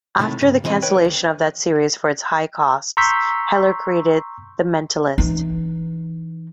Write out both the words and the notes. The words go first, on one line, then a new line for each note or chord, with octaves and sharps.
After the cancellation of that series for its high costs, Heller created "The Mentalist".
A2 C3 D#3 A3
G2 C#3
B1 E3 C4 D#5
B4 C#5 G5
D2
A#5 C6 C#6 E6 G6 B6
E3 D#4